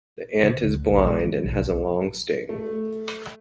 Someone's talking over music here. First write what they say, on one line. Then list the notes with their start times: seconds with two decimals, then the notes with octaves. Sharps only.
The ant is blind and has a long sting.
0.43 D3
0.63 D2
0.91 A#1
1.06 G#3
1.22 E3
1.44 B1
2.49 A3